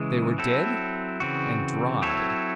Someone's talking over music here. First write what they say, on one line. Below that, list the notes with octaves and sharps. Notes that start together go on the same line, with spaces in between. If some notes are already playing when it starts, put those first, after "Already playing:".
They were dead and dry.
Already playing: C#3 E3 G#3
F#3 C4 E4 A4
C#3 E3 C4 F#4
F#3 C4 E4 A4 C#5